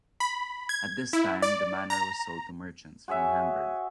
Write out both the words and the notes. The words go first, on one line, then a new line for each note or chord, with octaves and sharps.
At this time the manor was sold to merchants from Hamburg.
B5
G#6
E4
D5
A#5
F#4 G#4 C#5 E5